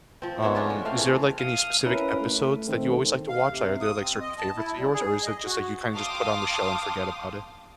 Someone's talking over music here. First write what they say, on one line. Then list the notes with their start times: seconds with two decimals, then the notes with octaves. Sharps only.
Um, is there, like, any specific episodes that you always like to watch, like, are there, like, certain favorites of yours, or is it just, like, you kinda just put on the show and forget about it?
0.22 F3 C4
0.42 A3 B3 C#5 E5
0.55 C#4 D4 F4
0.70 G#3
0.85 A3 C4 F5
0.98 C#3 E3
1.39 F5 D#6
1.86 C#4 E4 A#4 B4
2.21 A3
2.68 D#3 A3 C4
3.28 F5
3.49 C3
3.81 D#6
4.01 C4
4.21 D#5
4.39 A5
4.58 E4
4.77 G3
4.93 G#4
5.24 D#5
5.46 F#4
5.95 F5 G5 A5 C6 D6 D#6